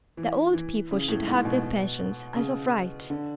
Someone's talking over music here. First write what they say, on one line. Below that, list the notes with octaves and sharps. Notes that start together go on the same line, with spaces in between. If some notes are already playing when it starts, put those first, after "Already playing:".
The old people should have their pensions as of right.
E3
E3
C#3
A2
G#2
B2
C#3
D3